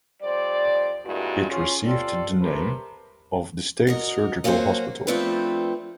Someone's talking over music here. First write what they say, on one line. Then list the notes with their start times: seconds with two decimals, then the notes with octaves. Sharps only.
It received the name of the State Surgical Hospital.
0.22 F2 G3 C5 D5
1.05 G2 A#2 G#3 E4 F#4
1.50 C#4 F4 G#4
1.84 G3 C4 F4 A4 D5
2.40 C3 A3 A#4 B4
3.87 F#4 A#4 D#5
4.44 F#3 A#3 C#4 F#4 C5
5.07 F3 A3 C4 D4 B4